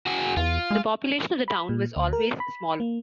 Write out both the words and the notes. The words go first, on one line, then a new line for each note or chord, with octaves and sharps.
The population of the town was always small.
F#4 G#4
E2 F4
G#3
B5
A#2
D2
A#4
B5
A#3